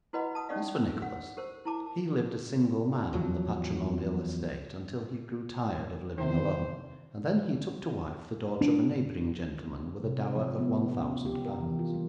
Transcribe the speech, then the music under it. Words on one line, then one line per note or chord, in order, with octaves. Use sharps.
As for Nicholas, he lived a single man on the patrimonial estate until he grew tired of living alone, and then he took to wife the daughter of a neighbouring gentleman with a dower of one thousand pounds.
E4 F#4 B4 D#5 F#5 B5
A5 D#6
C#4 D#4 G4 D5 D#5 F5
F#5
G4 A#4 C5
E4 A5 D6
E2 F3 F#3
C3 D#3 C5
D4
C3
F3
B3
C#4
G4
A#4
E3
F4
G3